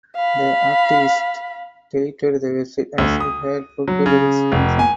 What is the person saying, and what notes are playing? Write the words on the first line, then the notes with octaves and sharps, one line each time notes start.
The activist deleted the website as it had fulfilled its function.
F5 B5
D2
D#6
F#3
C#3
F1
G#5